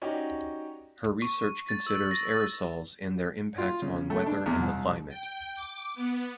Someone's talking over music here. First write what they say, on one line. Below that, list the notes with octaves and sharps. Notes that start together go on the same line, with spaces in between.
Her research considers aerosols and their impact on weather and the climate.
C#4 D#4 F#4 G4 D5
C#6
A6
E6
A#6
A6
F4
C#3
A3
D4
E2
C2
G5
D6
B3